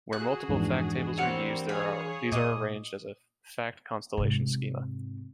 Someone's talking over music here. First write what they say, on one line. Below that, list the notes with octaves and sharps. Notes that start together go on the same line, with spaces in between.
Where multiple fact tables are used, these are arranged as a fact constellation schema.
F#4 G#4 F#6
F2 G#2 E3 D4
G3 A#3 C4 C#5 F5 F#5
G#4 C#5 F5 B5
A#2 D#5 D6
G#2 C3